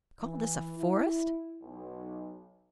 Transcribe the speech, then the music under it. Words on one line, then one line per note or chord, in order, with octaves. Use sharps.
Call this a forest?
E3
E4
B1